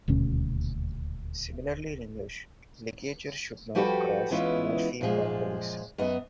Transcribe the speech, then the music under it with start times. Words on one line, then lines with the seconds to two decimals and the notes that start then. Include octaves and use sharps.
Similarly in English, ligatures should not cross morpheme boundaries.
0.08 D#1 D2 B2 C#4
3.75 F3 G3 F#4 G4 A4 B4
4.31 E3 G#3 B3 C#4 E4 F4
5.01 F#2 A#2 F3 G#3
5.98 F#2 B3 D#5